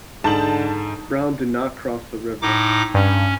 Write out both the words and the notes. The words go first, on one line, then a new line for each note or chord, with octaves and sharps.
Brown did not cross the river.
G#2 D3 A5 G6 F#7
A2 D#4 D6
G2 C#4